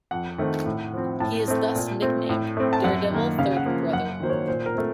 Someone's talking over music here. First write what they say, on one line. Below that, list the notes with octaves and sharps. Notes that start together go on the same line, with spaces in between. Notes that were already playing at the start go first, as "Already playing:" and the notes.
He is thus nicknamed "Daredevil Third Brother".
F2 F#5
D#3 A3 C4
A2
F3 C4
A2 A5
A3 C4
A#2
A3 C4
A2
A3 C4
A5
F#2 F#5
D#3 A#3
C#3 F5
F#5
F3 A#3
F#2 F#5
D#3 F#3 A#3 C5
C#5
A#2 C5
A#4
A3 C4